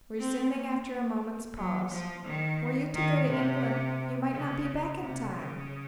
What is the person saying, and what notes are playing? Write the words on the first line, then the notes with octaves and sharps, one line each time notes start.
Resuming after a moment's pause-- "Were you to go to England, you might not be back in time."
C4
A#3
A#3
F#3
F3
D#3
D#3
C3
C#3
C3
C#3